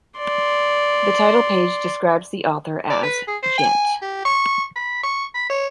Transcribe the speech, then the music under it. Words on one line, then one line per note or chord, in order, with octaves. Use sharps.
The title page describes the author as "Gent".
D5 C6
D5
B4
G#4
C5
G#5
G4
C#6
B5
C#6
B5
C#5